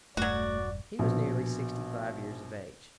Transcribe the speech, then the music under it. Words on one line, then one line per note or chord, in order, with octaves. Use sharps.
He was nearly sixty-five years of age.
E1 G2 F#3 A3 F#4 D5
A#1 B2